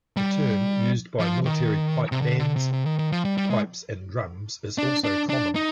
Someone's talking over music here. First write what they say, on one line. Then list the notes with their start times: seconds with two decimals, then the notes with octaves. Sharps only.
The term used by military pipe bands, pipes and drums, is also common.
0.17 G3
1.19 F3
1.45 D#3
2.12 C3
2.22 D3
2.40 D3
2.56 C3
2.73 C3
2.86 D#3
2.99 D#3
3.12 F3
3.25 G3
3.38 G3
3.50 G#3
4.78 D4
5.04 D4
5.29 D4
5.55 D#4